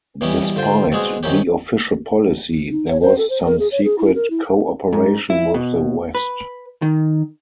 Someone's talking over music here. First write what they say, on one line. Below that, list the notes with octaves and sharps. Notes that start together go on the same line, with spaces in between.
Despite the official policy, there was some secret co-operation with the West.
B2 E3 G3 B3 C#4
D3 F4 C5 G5
B2 G#3 C4 D4 F#4 G#4
C3 D#3 F#3 C#4 G4
D#4
C#5
C5
A4
C5
A#4
G#4
C#5
G#4
E4
A#4
E4
G#2
E4
B2
B4
D#3